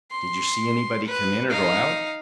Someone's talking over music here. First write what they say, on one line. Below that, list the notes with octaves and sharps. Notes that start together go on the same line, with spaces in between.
"Did you see anybody come in or go out?"
C6
B4
D#4 F5